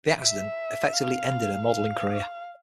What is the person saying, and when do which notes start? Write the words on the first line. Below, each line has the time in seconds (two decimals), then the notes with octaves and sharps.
The accident effectively ended her modeling career.
0.19 E5
0.93 F5
1.67 F5